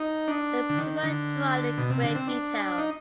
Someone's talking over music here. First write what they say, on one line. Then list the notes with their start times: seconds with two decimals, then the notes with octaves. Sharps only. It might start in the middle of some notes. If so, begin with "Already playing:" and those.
The people are drawn in great detail.
Already playing: D#4
0.28 D4
0.69 D3
0.78 D#3
1.03 D3
1.78 B2
1.90 C3
2.03 D3
2.15 C4
2.28 D4
2.78 D#4